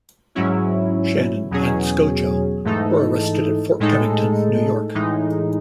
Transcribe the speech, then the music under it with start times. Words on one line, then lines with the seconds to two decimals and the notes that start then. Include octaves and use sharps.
Shannon and Skojo were arrested at Fort Covington, New York.
0.35 G#2 F#3 C#4 E4
1.50 E2 B2 F#3 C#4 G#4
2.65 G#2 E3 A3 D#4 A4
3.80 A2 G#3 D#4 A4
4.95 A2 E3 G#3 D#4